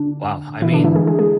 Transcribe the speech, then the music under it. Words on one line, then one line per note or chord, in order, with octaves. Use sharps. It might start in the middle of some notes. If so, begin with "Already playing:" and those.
Wow, I mean,
Already playing: D3 D4
E3 E4
D3 D4
E3 E4
G#3 G#4
G#3 G#4
G#3 G#4